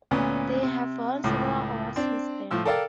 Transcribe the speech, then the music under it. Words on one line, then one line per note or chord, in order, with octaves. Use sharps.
They have won several awards since then.
D2 A#2 B3 C#4
C3
C#2 A2
C4 D4
A2 F3 E6
A4 A#4 D5 F5 G5 A5